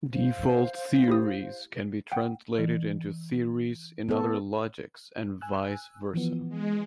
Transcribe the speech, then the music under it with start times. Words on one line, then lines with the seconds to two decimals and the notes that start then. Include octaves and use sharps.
Default theories can be translated into theories in other logics and vice versa.
0.13 C5 F5
1.08 E4 G4 D#6
2.12 F#5 G5
2.58 E3
4.09 B3 A4
5.41 G#5 E6 F#6
6.13 E3 F3 B3
6.49 G#3